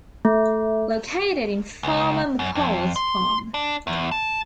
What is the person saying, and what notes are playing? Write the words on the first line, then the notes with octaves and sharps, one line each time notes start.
Located in Farmer McColls Farm.
A3
C#2
F#2
F2
C6
D4
E2
A5